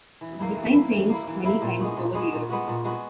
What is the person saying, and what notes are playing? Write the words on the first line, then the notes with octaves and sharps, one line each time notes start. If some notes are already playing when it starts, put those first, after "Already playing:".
The design changed many times over the years.
E3
A#3 E4
E3
A#3 E4
E3
A#3 E4
E3
A#3 E4
A#2
G#3 B3 F#4
A#2
G#3 B3 F#4
A#2
G#3 B3 F#4
A#2
G#3 B3 F#4